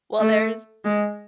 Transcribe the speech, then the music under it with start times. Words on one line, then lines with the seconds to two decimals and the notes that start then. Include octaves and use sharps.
Well, there's
0.20 A3
0.85 G#3